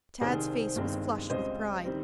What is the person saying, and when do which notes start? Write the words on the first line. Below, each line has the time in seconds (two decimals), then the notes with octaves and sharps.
Tad's face was flushed with pride.
0.21 C2 C3 D#3 G#4 C5
0.76 G1 G2 D#3 G#3 C4
1.30 C#2 C#3 G3 C4 C5 D#5
1.84 D#3 G3 C4